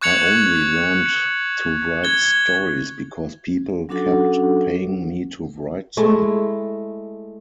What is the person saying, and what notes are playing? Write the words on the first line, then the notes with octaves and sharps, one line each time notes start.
I only learned to write stories because people kept paying me to write them.
C#6 F#6 G#6 C#7 F7 F#7
G#6 G7
F#3 C#4 D4 F#4 A4 F#5
G#3 A3 E4